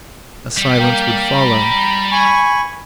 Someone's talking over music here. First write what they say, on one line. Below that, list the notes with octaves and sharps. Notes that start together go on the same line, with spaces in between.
A silence would follow.
G3
A#3 G5
A#5 B5
G#5 B5 C#6